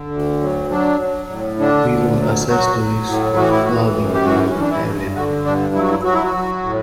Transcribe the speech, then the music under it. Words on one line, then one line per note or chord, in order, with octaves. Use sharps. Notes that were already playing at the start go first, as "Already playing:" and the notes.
We will assess the risk of flooding in your area.
Already playing: D3
D2
F#3
F#3 D4
F#3
A2
D3 D4
D2
F#3
F#3 F#4
F#3
A2
E3 F#4
E4
E3 F#4
F#2
G4
E3 F#4
C#4
E3 D4
E4
G2
D3 F#4
G2 D4
F#3 E4
F#4
E4
F#3 F#4
E4
F#4
F#3
A2